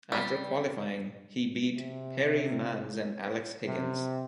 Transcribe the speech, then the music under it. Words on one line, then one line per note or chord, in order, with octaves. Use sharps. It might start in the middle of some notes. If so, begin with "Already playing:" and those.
After qualifying he beat Perrie Mans and Alex Higgins.
G3
C3
C3